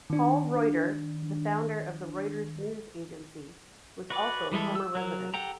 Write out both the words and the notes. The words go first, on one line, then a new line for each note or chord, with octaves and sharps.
Paul Reuter, the founder of the Reuters news agency, was also a former resident.
D#3 D4
F#4 B4 D5
E3 G3 G#3 E4 A4
E6
F#3 A#4
G4 A4 F#5 G5 A#5